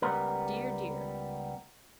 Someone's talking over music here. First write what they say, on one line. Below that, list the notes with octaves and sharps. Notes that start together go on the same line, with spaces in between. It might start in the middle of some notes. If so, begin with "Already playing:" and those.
Dear, dear!
C#2 G3 B3 A#4